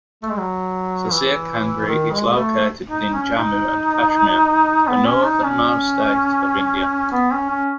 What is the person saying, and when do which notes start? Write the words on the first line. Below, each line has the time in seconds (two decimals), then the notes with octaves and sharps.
Sasir Kangri is located within Jammu and Kashmir, the northernmost state of India.
0.23 A3
0.31 G#3
0.38 F#3
1.13 E3
1.88 D#3
2.12 G#3
2.32 B3
2.37 A3
2.87 D#4
3.13 C#4
3.38 D#4
4.88 B3
5.06 C#4
5.25 D#4
5.43 C#4
7.12 B3
7.31 C#4
7.50 C#4